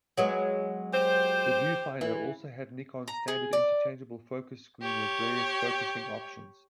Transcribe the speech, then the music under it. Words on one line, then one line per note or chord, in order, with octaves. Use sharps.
The viewfinder also had Nikon's standard interchangeable focus screen with various focusing options.
F#3 G#3 B3
G4 C5
E3
A#5
G#4
D5
G4 C#5